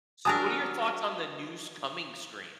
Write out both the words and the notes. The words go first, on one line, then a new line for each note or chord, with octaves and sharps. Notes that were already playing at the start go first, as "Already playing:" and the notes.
So, what are your thoughts on the new s coming Scream?
F#3 D4 A#4 G#5 A5 D#6